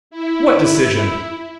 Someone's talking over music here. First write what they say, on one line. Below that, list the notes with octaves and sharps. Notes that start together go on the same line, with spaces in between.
What decision?
E4